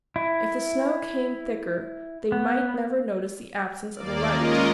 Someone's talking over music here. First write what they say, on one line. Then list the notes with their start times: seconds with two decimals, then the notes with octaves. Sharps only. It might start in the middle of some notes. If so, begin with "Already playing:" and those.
If the snow came thicker they might never notice the absence of the light.
0.16 E4
2.32 B3
3.95 D#2 A#3 D5
4.29 G#3 C#4 F4 A#4 D#5